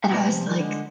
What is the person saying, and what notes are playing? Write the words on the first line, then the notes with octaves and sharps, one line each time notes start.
and I was like
B2 G3
B2 F3
C3
D#3 G3
D3
G#3